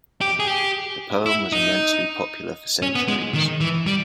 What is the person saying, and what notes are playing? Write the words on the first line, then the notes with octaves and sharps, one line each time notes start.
The poem was immensely popular for centuries.
G4
G#4
G4
E4
D#4
C#4
B3
G#3
D#3
E3
G3